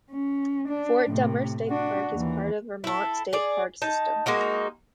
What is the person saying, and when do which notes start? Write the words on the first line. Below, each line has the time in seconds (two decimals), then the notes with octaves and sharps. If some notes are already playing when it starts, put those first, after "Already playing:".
Fort Dummer State Park is part of the Vermont State Park system.
0.11 C#4
0.68 D4
1.09 A2 C3
1.68 D4 F#4
2.12 D#2 E3
2.84 E4 A4
3.33 G#4 D5
3.82 D#4 A5
4.26 G#3 A#3 D#4 F#4